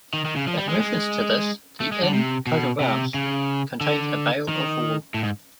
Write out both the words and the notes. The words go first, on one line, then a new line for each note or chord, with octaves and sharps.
In reference to this, the Inn coat of arms contained a bale of wool.
D#3
D#3
C#3
F3
G3
G#3
G#3
A3
G#3
D3
C3
B2
C3
C#3
D3
D#3
A2
G#2